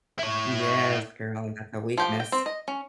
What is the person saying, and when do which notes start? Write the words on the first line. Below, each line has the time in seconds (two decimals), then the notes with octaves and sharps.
Yes, girl, that's a weakness.
0.19 E4 C#5
1.98 F3 G4 G5
2.20 G5
2.32 C4
2.46 D#5
2.68 C#4